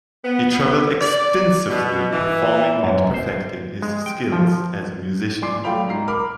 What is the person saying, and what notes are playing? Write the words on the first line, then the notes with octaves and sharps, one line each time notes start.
He traveled extensively performing and perfecting his skills as a musician.
B3
D5
B2
E3
F#2
C5
G#3
G5
F3
D5 G#5 C6 D6 C7
F#3 A3 F5 G5 B5 F7
G#2 A#5 C7
A#4 B5 D6 F6